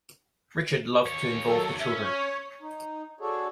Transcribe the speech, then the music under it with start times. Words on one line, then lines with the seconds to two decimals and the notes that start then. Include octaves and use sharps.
Richard loved to involve the children.
1.06 D#2 C#5
1.47 F#3 A4
1.81 C#4 E5
2.03 C#5
2.61 D#4
3.20 D4 F#4 G#4 A4 C#5